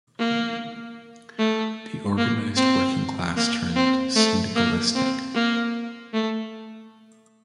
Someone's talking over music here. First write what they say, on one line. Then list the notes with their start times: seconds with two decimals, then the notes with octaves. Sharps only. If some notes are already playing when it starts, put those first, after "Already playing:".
The organized working class turned syndicalistic.
0.19 A#3
1.38 A3
2.18 A#3
2.57 C4
3.37 A#3
3.76 C4
4.16 A3
4.56 A#3
4.95 C4
5.34 A#3
6.14 A3